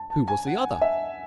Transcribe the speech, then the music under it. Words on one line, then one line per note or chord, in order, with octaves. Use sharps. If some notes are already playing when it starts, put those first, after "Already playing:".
Who was the other?
Already playing: A5
A5
G#5
F#5
E5